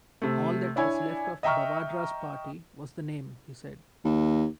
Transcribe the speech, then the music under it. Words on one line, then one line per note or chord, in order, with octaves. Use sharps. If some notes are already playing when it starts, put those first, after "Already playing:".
All that was left of Bavadra's party was the name, he said.
C3 A3
D4 E4 C#5 G#5
D#5 E5 G5 A#5 C#6 F6
D#2